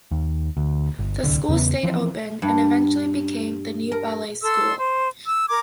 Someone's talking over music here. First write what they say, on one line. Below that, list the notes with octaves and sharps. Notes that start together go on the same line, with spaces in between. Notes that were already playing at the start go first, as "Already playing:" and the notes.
The school stayed open and eventually became the New Ballet School.
D#2
D2
G1
D1 C2 D3
E2 C#3 B3
E3 F3 C4
G2
A#4
A4 C6 E6
C5
E6
A#4 A#5 D6 G#6